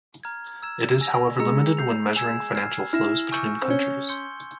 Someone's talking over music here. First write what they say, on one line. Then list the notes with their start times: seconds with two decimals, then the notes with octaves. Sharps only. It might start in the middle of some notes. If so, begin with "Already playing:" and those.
It is however limited when measuring financial flows between countries.
0.23 A#5 F6 G#6
0.62 A#5 E6 G#6 E7
1.01 G#5 E6 A#6 F7
1.39 G#3 A#5 E6 A#6 C#7
1.77 G6 C7 F7
2.16 G#5 E6 G#6 E7
2.55 F6 G#6 C7
2.93 E4 F6 A#6 E7
3.31 G#5 C#6 E6 G6 C#7
3.62 C4
3.70 C#4 E6 G#6 C#7 G7
4.09 C6 G6 C#7 G7